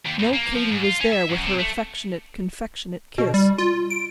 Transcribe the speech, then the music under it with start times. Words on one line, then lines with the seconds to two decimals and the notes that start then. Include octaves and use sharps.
No Katy was there with her affectionate, confectionate kiss.
0.05 D#2
0.19 E2
0.33 A#3
0.55 F3
0.72 G#2
0.84 F4
1.00 C#4
1.12 E5
1.29 F#2
1.45 C3
1.59 A3
3.18 B2
3.34 G3
3.58 F4
3.90 D7